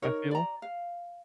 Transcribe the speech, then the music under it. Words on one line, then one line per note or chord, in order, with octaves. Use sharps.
I feel.
D#4 A#4 C#5
D5 A#5
F5